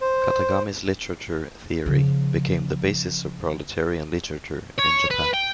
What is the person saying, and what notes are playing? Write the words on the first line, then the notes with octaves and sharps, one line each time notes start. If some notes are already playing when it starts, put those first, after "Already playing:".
Katagami's literature theory became the basis of proletarian literature in Japan.
C5
C#3 F3
C#5
B4
G5